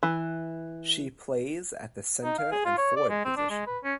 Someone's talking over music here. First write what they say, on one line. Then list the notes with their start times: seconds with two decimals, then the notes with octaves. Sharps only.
She plays at the Centre and Forward position.
0.03 E3
2.24 D#4
2.38 F5
2.52 G#4
2.65 F4
2.78 C#5
2.96 D5
3.09 G#3
3.25 C4
3.37 D4
3.50 G#3
3.67 B4
3.84 C#4